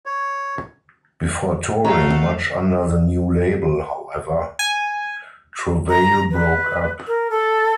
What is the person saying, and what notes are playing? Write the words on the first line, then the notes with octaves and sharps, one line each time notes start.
Before touring much under the new label, however, Travail broke up.
C#5
A3 F#4 C#5 F5 A#5
G#5
A#5
B4
A#4
A4